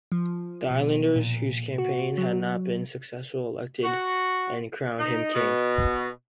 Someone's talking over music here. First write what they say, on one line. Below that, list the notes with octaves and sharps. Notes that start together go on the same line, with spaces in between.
The islanders, whose campaign had not been successful, elected and crowned him king.
F3
B2
A#2
F#4
F#3
F#4
D#4
B2